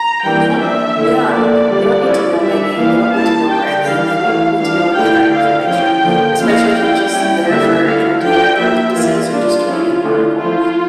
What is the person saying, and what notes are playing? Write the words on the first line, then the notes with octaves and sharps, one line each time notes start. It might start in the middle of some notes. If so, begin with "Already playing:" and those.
they don't Yeah. They don't need to know my name; they don't need to know where I live; they don't need to know any of that information, especially if I'm just there for entertainment purposes or just to read an article,
Already playing: A#5
E3 G3 A#3 D4 G5
F3 A#3 D4 E5
D3 A3 E4
D3 F3 A#3 D5
D3 G3 A#3
F3 C#4 E4
G3 D4 E5
E3 A#3 D4 F5
G3 A#3 C#4 E4 A5
G3 D4 G5
E3 G3 D4 F5
E3 A3 E4
E3 G3 D4 F5
D3 A3 E4 G5
D3 A3 E4 F5
F3 C#4 E4 G5
D3 F3 A#3
F3 A#3 C#4 E4 F5
G3 C#4 E4 G5
G3 C#4 E4
D3 G3 A#3 E4 E5
D3 A3 E4 F5
F3 A3 D4 G5
F3 A#3 E4 E5
E3 A#3 E4 F4
G3 A#3 D4 F4
F3 C#4 E4
D3 A3 C#4 E4
F3 A3 E4 F4